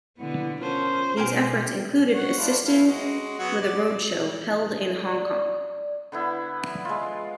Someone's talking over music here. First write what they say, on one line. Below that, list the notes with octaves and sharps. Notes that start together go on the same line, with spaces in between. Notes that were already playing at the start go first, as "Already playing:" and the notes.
These efforts included assisting with a road show held in Hong Kong.
B2 D3 B3 E4 F#5
C#4 F4 A#4 C5 A5
B2 B3 G4 G#4 A#4
C#5 F#5
D4 E4 F4
A3 E4 F5
G#3 F#4
F#3 B3 F#4
D5
D5
D3 B3 E4
G#3 F4